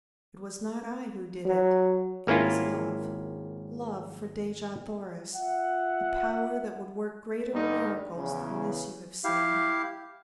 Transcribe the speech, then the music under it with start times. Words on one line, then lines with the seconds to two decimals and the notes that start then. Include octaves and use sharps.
"It was not I who did it, it was love, love for Dejah Thoris, a power that would work greater miracles than this you have seen."
1.45 F#3
2.27 G#1 A#3 C#4 E4 F4
5.35 F4 E5 F#5
7.53 G2 D3 G3 D#4
8.15 E2 C#3
9.24 E4 G4 F5